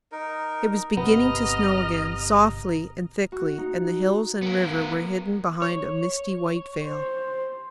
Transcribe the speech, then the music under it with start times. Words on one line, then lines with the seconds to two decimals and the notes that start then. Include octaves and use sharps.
It was beginning to snow again, softly and thickly, and the hills and river were hidden behind a misty white veil.
0.12 D#4 A#4
0.97 G1 C3 B3 D#5 A#5 F6
3.32 F#4
3.58 D#4
4.42 B3 A#4
5.62 C#5
6.85 C5